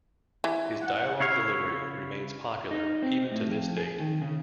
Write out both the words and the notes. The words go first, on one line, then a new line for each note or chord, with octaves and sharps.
His dialogue delivery remains popular even to this date.
E3
F#5
C#3 E4 C#5 F5 C#6
D#4
C4
A2
F2
G#4
D#3
C#3